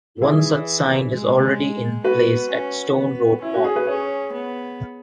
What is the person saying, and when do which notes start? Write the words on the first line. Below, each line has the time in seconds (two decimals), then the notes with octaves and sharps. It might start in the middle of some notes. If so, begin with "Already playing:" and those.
One such sign is already in place at Stone Road Mall.
0.22 E3 E4 G#4
1.13 G#3
2.04 B3 F#4 B4
2.50 C#4
2.95 B3
3.42 C#4 E4
3.54 F#4
3.64 G#4
3.76 B4
3.87 C#4 G#4 C#5
4.33 B3